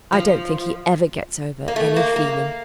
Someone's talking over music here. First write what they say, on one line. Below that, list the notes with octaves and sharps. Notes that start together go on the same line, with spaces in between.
I don't think he ever gets over any feeling.
F3
A#3
A3
A#3
A#3